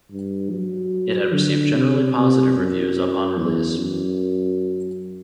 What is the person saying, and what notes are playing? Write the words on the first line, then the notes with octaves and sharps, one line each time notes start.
It had received generally positive reviews upon release.
G2
F#3
D3
C3
C3
F#2
E2
F#2